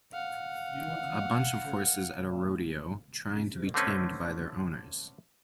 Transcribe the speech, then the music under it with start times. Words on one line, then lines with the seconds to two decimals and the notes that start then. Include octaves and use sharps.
A bunch of horses at a rodeo, trying to be tamed by their owners.
0.13 F5 F#5
3.74 D3 A3 C4 C#4 B4